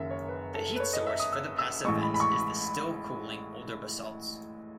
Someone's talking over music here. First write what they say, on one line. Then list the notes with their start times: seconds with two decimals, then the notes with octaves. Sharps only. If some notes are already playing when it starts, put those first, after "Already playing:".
The heat source for the passive vents is the still-cooling older basalts.
Already playing: F#1 F#2 D#3 E5
0.10 C#5
0.28 B4
0.54 A4
0.76 B4
0.80 C#5
0.93 D#5
1.07 E5
1.20 D#6
1.33 E6
1.58 E6
1.85 A1 A2 E3 G#3 C#6
2.02 B5
2.14 B5
2.20 C#6